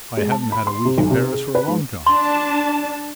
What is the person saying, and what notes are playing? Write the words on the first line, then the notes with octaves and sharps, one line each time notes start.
"I haven't had a week in Paris for a long time."
G#3
A5
B5
C6
C3
B1
C3
G#4
B4
G#2
D4 A5 C6